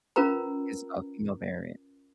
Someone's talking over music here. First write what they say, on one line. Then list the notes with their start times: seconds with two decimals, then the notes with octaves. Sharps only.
his, uh, female variant.
0.16 C#4 F4 A#4 B4 A#5